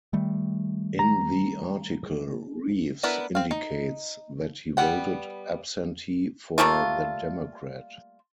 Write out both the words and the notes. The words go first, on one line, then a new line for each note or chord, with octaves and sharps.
In the article, Reeves indicates that he voted absentee for the Democrat.
D#3 G3 A3
A#5
B3 D4 E4 A#4 B4
C4 F5
D#4
G3 B3 F#5 G5
G3 A3 A#3 F4